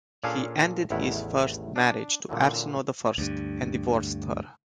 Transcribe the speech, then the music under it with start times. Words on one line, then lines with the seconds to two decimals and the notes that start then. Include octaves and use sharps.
He ended his marriage to Arsinoe the First and divorced her.
0.24 A#2 C#4 D4 G#4 A4 F5
0.90 A1 E2 D#3 E4 F#5
1.76 D4
2.29 A#2 D3 E3 F#3
3.18 D2 G2